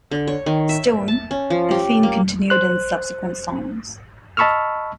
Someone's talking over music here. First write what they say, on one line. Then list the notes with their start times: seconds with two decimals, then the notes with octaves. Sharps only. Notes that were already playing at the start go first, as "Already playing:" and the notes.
Stone, a theme continued in subsequent songs.
0.12 D3
0.27 C#5
0.46 D#3
0.69 E5
1.08 A5
1.31 C#4
1.50 F3
1.71 G4
2.03 A#3
2.50 C5 F#6
4.37 D#5 A5 B5 C#6 E6 F6